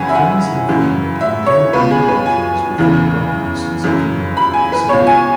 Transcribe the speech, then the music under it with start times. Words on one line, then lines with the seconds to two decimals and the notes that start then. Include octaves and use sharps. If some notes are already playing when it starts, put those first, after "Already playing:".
Friends and family can enjoy accommodations within a walking distance of their waterpark facility.
Already playing: F#2 C#3 E3 F#5 G#5 B5
0.09 E5
0.15 F#5
0.69 F#2 C#3 E3
1.21 E5
1.46 C#5
1.73 C#2 B2 B4
1.91 G#4
2.02 G#4
2.08 B4
2.26 G#5
2.78 E2 C#3 E3
3.84 F#2 C#3 E3
4.37 B5
4.54 G#5
4.72 B4
4.89 C#2 B2 C#5
5.07 G#5